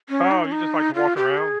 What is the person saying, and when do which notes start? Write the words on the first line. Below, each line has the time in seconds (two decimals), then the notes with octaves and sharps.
Oh, you just like to walk around?
0.09 C#4
0.31 D#4
0.45 C#4
0.52 D#4
0.95 F4
1.16 G4
1.38 G#4